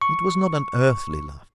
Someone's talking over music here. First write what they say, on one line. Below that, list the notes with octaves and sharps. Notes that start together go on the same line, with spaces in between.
It was not an earthly love.
C#6